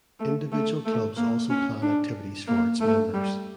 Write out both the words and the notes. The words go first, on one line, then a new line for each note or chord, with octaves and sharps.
Individual clubs also plan activities for its members.
A3
A3
A3
A#3
C#4
D4
A#3
A3
G3